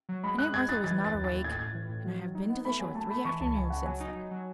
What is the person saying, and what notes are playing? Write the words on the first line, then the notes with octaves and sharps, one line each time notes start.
But Aunt Martha was not awake--and I have been to the shore three afternoons since then.
F#3
G#3 B5
G#3 F#6
G#3 G#6
D#4 A6
E3 A6
E3 A6
D#2
A6
D#2
A2 G#6
A6
A2 G#6
E3
A2
F#3
F#3
D#4
B3
A3 B5
F#3 G#5
A3 A5
A3 B5
E3 C#6
C#2 A5
C#2 G#5
C#2 F#5
F#3 G#5
D#4
F#3
F#3